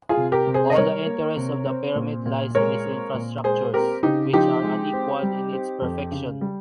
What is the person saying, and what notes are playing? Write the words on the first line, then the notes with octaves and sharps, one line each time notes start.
All the interest of the pyramid lies in its infrastructures, which are unequalled in its perfection.
F4 G#4
C3
G4 A#4
C3
G#4 C5
D#5
G3 A#4 C#5
A#3
C3
C4
A#2
A#2
G#3 A#4 C#5
C4
A#2
G#3 G#4 C5
C4 G4 A#4
C#3 D#4 G4
F3 D#4 G4
G#3
C4
G3
C4
F2
C#3
G3